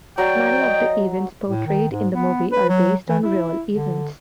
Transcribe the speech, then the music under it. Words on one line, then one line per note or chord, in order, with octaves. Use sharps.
Many of the events portrayed in the movie are based on real events.
F#3 D5 G5 A#5
D#5
A2
D#3
G#2
B3
B4
F#3
E3
E4
D3